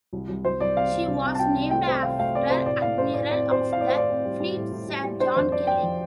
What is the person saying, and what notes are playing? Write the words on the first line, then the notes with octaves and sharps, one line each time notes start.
She was named after Admiral of the Fleet Sir John Kelly.
C2
C2
C2 C5
C2 D5
C3 F5
C3
C2
C4
A5
C2 G5
C3
A3 G5
C4 C5
C3 F5
A3 F5
C4 D5
C3 C5
A2 D5
A2 F5
A2 C5
A2 D5
C4 D5
C4
C5
C4
F5
A2 D5
C5
A2 D5
C4
G3
G3
A2
A2
G3
G3
D4 C5
F2 C5
F3 D5
D4 G5
F3